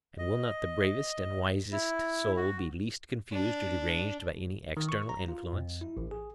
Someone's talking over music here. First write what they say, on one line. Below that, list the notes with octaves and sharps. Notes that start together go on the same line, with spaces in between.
And will not the bravest and wisest soul be least confused or deranged by any external influence?
D#5
E4
F#4
D4
D#3
C#6
A#5
F4
F2
E4
A1
G#4